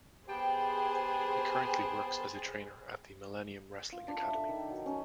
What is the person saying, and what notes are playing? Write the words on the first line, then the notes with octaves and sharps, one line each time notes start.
He currently works as a trainer at the Millenium Wrestling Academy.
B3 G4 G#4 C5 G5 A5 C6
F4
D4
E5
A4
D#3
F#3
C#4